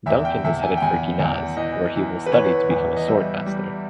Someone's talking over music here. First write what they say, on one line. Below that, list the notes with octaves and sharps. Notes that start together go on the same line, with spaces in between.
Duncan is headed for Ginaz, where he will study to become a swordmaster.
E2 E5
G5
E2 E5
G#5
G5
E2 G#5
E2
E3 D#5
E3
B4
E3 C#5
E2
D#5
G3 E5
G3